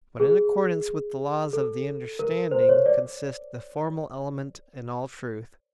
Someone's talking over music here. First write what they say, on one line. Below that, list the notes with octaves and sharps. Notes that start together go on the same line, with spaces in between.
But in accordance with the laws of the understanding consists the formal element in all truth.
G#4
A4
A#4
C5
C#5
D5